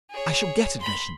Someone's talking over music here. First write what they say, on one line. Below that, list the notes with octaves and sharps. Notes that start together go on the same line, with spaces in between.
"I shall get admission."
G#4 C#5
B5 C6